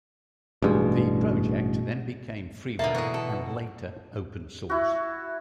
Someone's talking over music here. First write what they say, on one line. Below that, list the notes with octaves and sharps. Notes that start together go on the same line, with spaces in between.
The project then became freeware and later open source.
A1 G2 B2 G#3
B2 D3 A#3 E5 A5
E3 E4 F#4 G#4
A4
E4 F#4